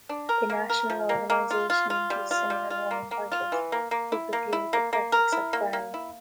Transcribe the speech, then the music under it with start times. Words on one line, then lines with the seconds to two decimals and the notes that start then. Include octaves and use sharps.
The national organization uses similar Roman titles, typically with the prefix of "Grand".
0.09 D4
0.29 A#4
0.50 A#3
0.70 A#4
0.90 F3
1.09 A#3
1.30 A#3
1.50 F4
1.70 F4
1.90 F4
2.10 G3
2.31 F4
2.50 G3
2.70 F4
2.91 A#3
3.11 A#3
3.32 F4
3.52 E3
3.72 A#3
3.91 A#3
4.12 E4
4.33 A#3
4.53 E4
4.73 A#3
4.93 A#3
5.12 A#4
5.32 E4
5.53 A#3
5.73 A#3
5.94 E4